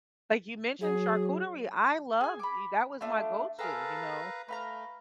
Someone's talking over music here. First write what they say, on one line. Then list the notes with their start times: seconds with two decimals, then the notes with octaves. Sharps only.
like you mentioned charcuterie, I loved that was my go-to, you know,
0.81 F#3 G#4
2.21 G#4 G#5
2.39 B5 D6
3.01 A3 D4 F4
3.59 A#3 G#4 A4 B4 F5 A#5
4.48 A3 B4 F5 A#5